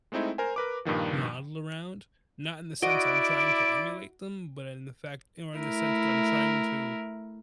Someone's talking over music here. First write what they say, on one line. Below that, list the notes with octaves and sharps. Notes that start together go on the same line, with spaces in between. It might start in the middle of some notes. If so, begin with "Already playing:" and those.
model around. Not in the sense I'm trying to emulate them, but in the fact or in the sense that I'm trying to,
G#3 A3 C4 D#4 E4
A#4 C5 G#5
A#4 B4 D6
G2 A#2 D#3 F3
E4 F#4 D5 D#5 D7
A3 E4 A#4